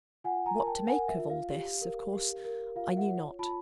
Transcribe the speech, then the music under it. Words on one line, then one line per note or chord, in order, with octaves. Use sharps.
What to make of all this, of course I knew not.
F4 F#5 G#5
G#5 A#5
A#4
G5 A5
A#4 F#5 G#5
E5
F4
F5
G4
A#4
G4
A#4
F4 F5
E5 F#5
C#5
F4 A5 B5